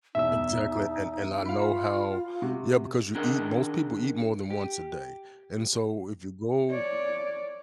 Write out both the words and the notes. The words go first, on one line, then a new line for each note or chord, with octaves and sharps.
Exactly, and and I know how yeah, because you eat most people eat more than once a day, and so, if you go
E2 B2 D#4 E5 E6
F4 F5 B5
C3 F#4
D#3 D4 G#4 A#4 D#5
G4
C#5 D5